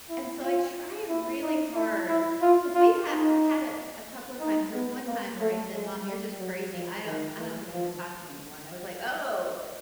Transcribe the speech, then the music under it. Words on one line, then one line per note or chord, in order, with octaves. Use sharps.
and so, I try really hard 'cause we've had we had a a couple of times there was one time where he said, "Mom, you're just crazy. I don't I don't think I'm gonna talk to you anymore," and I was like, "Oh,
E4
F4
E4
D#4
E4
E4
F4
F4
D#4
D#4
B3
A#3
A3
G#3
G3
F#3
F3
D#3
E3
F3